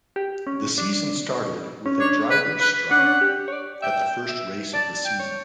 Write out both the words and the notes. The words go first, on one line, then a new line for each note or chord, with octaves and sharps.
The season started with a drivers' strike at the first race of the season.
G4
C#4
D4
C#4
D4 C#5
B4
B4
D4 F#5
C#4
D4
G4
C#5
D5
E5 G5
E5
D5 A5
G5
C#5